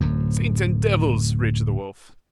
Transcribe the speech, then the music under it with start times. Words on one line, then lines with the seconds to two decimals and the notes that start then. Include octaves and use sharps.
"Saints and devils!" raged the Wolf.
0.01 D1 F#2